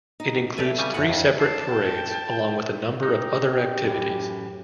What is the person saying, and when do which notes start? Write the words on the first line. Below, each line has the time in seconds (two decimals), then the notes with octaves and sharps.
It includes three separate parades, along with a number of other activities.
0.20 D#4
0.58 G4 A4 B4 D5 E5 G#5
0.78 C#3 G3 G#5
0.94 F#2 E4 F4 F#5
1.09 F2
1.40 A5 C7
1.69 G5
3.03 D#4 G4
3.84 F#2 A2 E3